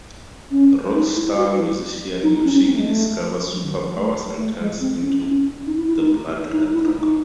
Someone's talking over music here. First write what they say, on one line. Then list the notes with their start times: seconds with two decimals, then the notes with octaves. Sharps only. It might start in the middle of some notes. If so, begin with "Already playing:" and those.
Rock star musician Yoshiki discovers super powers and turns into the Blood Red Dragon.
0.51 C#4
0.93 D#4
1.15 E4
1.37 F#4
1.58 E4
2.23 D#4
2.33 D#4
2.44 C#4
2.55 C#4
2.65 C4
2.72 A3
2.80 G#3
2.86 A3
3.52 F#3
3.62 D#3
3.84 F#3
3.94 A3
4.37 A3
4.59 G#3
4.80 C4
5.02 C#4
5.23 C#4
5.66 D#4
5.77 E4
5.88 E4
5.98 D#4
6.52 D#4
6.63 D#4
6.73 E4
6.84 D#4
6.95 D#4